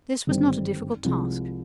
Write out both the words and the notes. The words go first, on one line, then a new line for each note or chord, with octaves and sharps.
This was not a difficult task.
G#1 G2 D3 G3 C4
C2 C3 F3 G#3